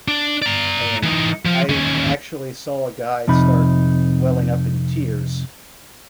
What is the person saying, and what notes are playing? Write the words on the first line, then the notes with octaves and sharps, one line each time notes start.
and I actually saw a guy start welling up in tears.
D4
D5 A#5
E3 D#4
F3
D#2 C#4
F2 C3 D#4 B5